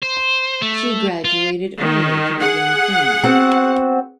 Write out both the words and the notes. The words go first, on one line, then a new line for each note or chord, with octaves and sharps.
She graduated early to begin filming.
C5
A3
F4
D#3
G#4 F#5
B3 C4 F#4